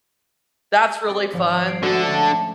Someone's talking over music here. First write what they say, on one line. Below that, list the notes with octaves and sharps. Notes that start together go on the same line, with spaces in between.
that's really fun, eh
C4 D5
G#1 F3
G#6 C7 D7
D3 G#3 A3 F#4 A4
C#4 A5